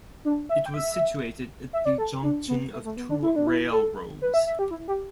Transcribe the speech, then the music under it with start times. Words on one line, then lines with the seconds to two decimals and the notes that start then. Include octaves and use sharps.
It was situated at the junction of two railroads.
0.25 D4
0.49 E5
0.66 G5
0.74 E5
1.73 E5
1.85 D5
1.98 A4
2.23 D4
2.48 B3
2.73 A3
2.85 A3
2.97 B3
3.10 D4
3.22 E4
3.36 D4
3.47 E4
3.71 A4
4.22 B4
4.34 E5
4.46 E5
4.59 G4
4.71 E4
4.88 G4